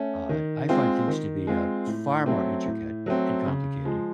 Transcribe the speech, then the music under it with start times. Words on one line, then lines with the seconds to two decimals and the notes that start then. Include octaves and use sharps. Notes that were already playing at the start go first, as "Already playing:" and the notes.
uh, I find things to be, uh, far more intricate and complicated.
Already playing: A3 C#4
0.29 D#3
0.69 G#3 C4 F4
1.08 D#3
1.47 G#3 C4 F4
1.87 A2
2.26 F#3 A3 C4
2.66 A2
3.06 F#3 A3 C4
3.45 C#3
3.85 F3 G#3